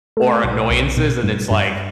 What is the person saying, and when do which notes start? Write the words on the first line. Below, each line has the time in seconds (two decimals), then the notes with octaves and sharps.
or annoyances, and it's like,
0.17 A3
0.44 B1
0.70 B1
0.97 B2
1.23 G2
1.51 G2